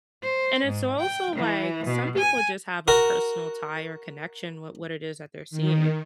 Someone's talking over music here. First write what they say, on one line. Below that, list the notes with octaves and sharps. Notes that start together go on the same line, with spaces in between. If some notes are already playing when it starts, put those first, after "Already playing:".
and it's also, like, some people just have a personal tie or connection with what it is that they're seeing,
C5
G#2
G5
E3
B2
G#5
F#4 A#4
D#3